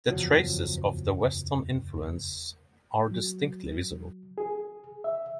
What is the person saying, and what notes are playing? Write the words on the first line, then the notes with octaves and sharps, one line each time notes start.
The traces of the Western influence are distinctly visible.
F#1 E2 F3 F#3
F#3
G#4
E5